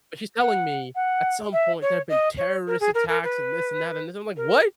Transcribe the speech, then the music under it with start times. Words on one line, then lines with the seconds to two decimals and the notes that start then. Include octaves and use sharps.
but she's telling me at some point, there have been terrorist attacks and this and that and this. I'm like, "What?
0.39 F#5
0.95 F#5
1.53 E5
1.82 C#5
2.09 D#5
2.37 C#5
2.67 A#4
2.80 G#4
2.95 A#4
3.09 A#4
3.24 B4
4.37 A#4